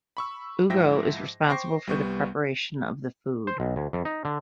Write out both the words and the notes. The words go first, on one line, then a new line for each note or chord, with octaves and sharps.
Ugo is responsible for the preparation of the food.
B5 C#6 E6
G#2 F3 E4 E5 G5 A#6
C5 G5 C#6 D6 A#6 C7
C2 G3 B3 C#6 G6
C5
B1
D2
F2
D#4
D3